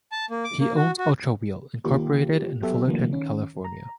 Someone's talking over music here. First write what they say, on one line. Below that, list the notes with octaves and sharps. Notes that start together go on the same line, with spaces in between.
He owns Ultra Wheel, Incorporated in Fullerton, California.
A5
A#3
D6
A#3
F#4
F#4
D#3 A#3 F4 G4
F#3 B3 G4 A4 E5
D3 E3 F#3 A3 A#3
D#3 C#4
A#5